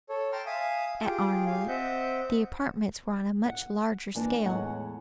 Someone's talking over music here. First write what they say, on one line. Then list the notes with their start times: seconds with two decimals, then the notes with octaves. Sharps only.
"At Arnwood; the apartments were on a much larger scale."
0.09 A4 C#5
0.32 G5 A5 A#5 C6 F6
0.46 E5 F5 G#5 D#6
1.04 F4 G4 G#4 G5
1.46 G4 F5 G#5
1.68 C4 D#5 E5 F#5 G6
3.46 F#5
4.15 E3 A#3 D4
4.44 E2 A2 G#3 C#5 F#5